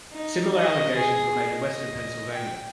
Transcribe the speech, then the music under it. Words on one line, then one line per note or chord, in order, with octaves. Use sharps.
Similar allegations were made in Western Pennsylvania.
D#4
D#5
G#4
D#5
G5